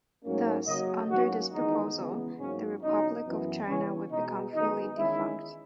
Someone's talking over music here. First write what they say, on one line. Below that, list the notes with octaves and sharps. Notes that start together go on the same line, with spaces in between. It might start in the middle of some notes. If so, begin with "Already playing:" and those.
Thus, under this proposal, the Republic of China would become fully defunct.
G#2 F#3 A#3 C#4
C#3 F#3 A#3 D#5
G#2 F#3 A#3 C#4 F#4
E2 D#3 G#3 B3 D#4
E2 C#3 E3 G#3 B3
G#2 F#3 A#3 C#4
E2 B2 F#3 C#4 D#4
F#2 E3 B3
C#3 E3 B3 C#4
B2 G#3 B3 D#4
F#2 D#3 G#3 B3 D#4
E2 D#3 G#3 C#4 E4